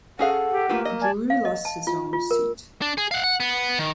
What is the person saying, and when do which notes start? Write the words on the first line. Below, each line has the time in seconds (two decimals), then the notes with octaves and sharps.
Drury lost his own seat.
0.19 C#4 G#4 A4 F5 F#5
0.52 G4
0.69 A3 A#3 F4 B4
0.85 A3 D#5
1.01 D5 G#5 A5
1.30 F5
1.45 D#5
1.65 A5
1.87 F4
2.13 F4
2.31 A#4
2.82 D4
2.98 G#4
3.11 F5 F#5
3.24 F#5
3.40 B3
3.79 D#3